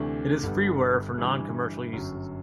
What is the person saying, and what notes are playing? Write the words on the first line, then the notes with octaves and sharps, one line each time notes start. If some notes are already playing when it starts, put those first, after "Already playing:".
It is freeware for non-commercial uses.
Already playing: D2 C3 E3 A3 D4
G1 G2 D3 G3 B3
G1 G2 E3 G3
G1 F#2 F#3